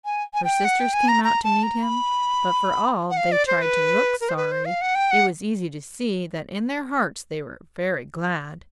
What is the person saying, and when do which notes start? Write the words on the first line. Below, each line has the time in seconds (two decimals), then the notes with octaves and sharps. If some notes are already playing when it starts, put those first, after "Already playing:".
Her sisters came out to meet him, but for all they tried to look sorry, it was easy to see that in their hearts they were very glad.
0.05 G#5
0.34 G#5
0.44 G5
0.65 F#5
0.80 G5
0.94 G#5
1.08 A#5
1.24 A#5
1.44 A5
1.63 A#5
1.83 B5
3.10 F#5
3.17 F5
3.32 D5
3.47 C5
3.62 B4
4.21 A#4
4.29 C5
4.37 B4
4.52 C5
4.65 F5
4.81 F#5
4.95 G5
5.11 F#5